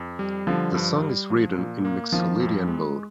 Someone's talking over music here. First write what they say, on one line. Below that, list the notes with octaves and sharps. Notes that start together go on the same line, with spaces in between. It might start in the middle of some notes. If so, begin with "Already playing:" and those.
The song is written in Mixolydian mode.
Already playing: F2
G3
D3 F3
G2
G3
F3
A#2
A#3
D#3 F3
F2
G#3